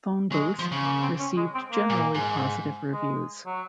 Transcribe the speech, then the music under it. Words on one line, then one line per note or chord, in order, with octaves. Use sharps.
"Phone Booth" received generally positive reviews.
F#3 G#3
F3
C#3
A#3
C4
C#4
G#3
C4
A#3
A#2
G#2
G#3
F#3